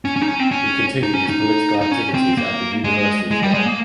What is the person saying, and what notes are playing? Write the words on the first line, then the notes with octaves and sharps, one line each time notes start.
He continued his political activities at the university as well.
C#4
C#4
D#4
C#4
C4
C#4
D#4
C#4
D#4
D#4
C#4
C4
A#3
G#3
G#3
G3
G#3
A#3